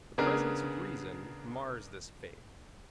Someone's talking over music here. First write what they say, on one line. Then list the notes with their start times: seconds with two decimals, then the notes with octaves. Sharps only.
The presence of Reason mars this faith.
0.18 C#3 B3 D4 G#4 A#4